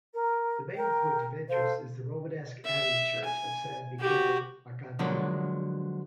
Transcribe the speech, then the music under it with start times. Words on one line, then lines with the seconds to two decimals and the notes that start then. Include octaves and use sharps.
The main point of interest is the Romanesque abbey church of "San Michele Arcangelo".
0.13 A#4
0.75 A#4 G5
1.48 A4 C5 F5
2.65 E5
3.24 G#5
4.00 F#4 G4
4.99 D3 F3 F#3 G#3 A#3 D4